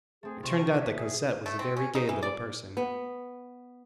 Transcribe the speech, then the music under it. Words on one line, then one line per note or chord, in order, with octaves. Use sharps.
It turned out that Cosette was a very gay little person.
A3 C4 G#4
C3 C4 F4 C#6
A5 A#6
G4 C#5 E5
G#4
A3
C4
C#4
D#4
E3
D5
B3